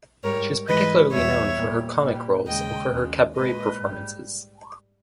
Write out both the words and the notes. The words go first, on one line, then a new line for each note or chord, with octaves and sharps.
She is particularly known for her comic roles and for her cabaret performances.
G#2 G3 A#4 C#5
G#2 E3 G#3 B4 D#5
E2 B2 G3 C#5 E5
A#2 G3
A#2 G3
D#2 C#3 G#3 D#5 G5
D#2 C#3 G#3
A#2 G#3 B4 D#5
G#2 G3